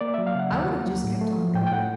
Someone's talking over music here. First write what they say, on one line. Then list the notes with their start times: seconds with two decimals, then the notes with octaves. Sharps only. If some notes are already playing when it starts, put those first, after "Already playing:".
I would've just kept on going
0.01 A#3 D5
0.14 F#3 E5
0.27 F5
0.35 C#3 F#5
0.52 D#2 F#5
0.69 A#3
0.86 F#3
1.04 A2
1.21 A3
1.38 F3
1.54 A2 G5
1.67 G5
1.72 A2 F#5